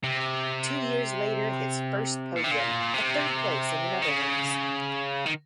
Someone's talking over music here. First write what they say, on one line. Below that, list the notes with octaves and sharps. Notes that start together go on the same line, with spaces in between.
Two years later, his first podium: a third place in the Netherlands.
C3
A#2
C3
A#2
C3
D#3
C#3
D#3